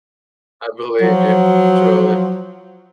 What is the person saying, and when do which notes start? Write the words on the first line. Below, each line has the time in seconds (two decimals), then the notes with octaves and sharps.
I believe you, truly.
1.01 F3 F#3